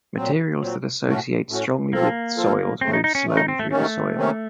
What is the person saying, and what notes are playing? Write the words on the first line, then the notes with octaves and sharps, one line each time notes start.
Materials that associate strongly with soils move slowly through soil.
A#2 F#3 C4
A#2 F#3 C4
A2 A3 C#4 F#4
A2 A3 C#4 F#4
F3 A#3 C4 F4 A4
F3 C4 F4 A4
F#2 C#3 A3 C4
D#4
D#4
C#4
F#2 C#3 A3
D#4
C4
A3
C3 D#3 A3 A#3 C#4
C3 D#3 A#3 C#4